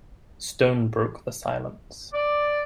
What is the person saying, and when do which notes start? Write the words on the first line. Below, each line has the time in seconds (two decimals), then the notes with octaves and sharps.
Stone broke the silence.
2.14 D5